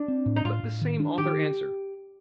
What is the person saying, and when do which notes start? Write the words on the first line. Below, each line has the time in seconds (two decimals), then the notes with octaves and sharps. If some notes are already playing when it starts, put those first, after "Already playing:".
Let the same author answer.
Already playing: D4
0.08 C4
0.26 A2
0.36 D#4
0.45 A2 F4
0.63 A2
0.81 D#3
1.00 D4
1.18 D#3 G4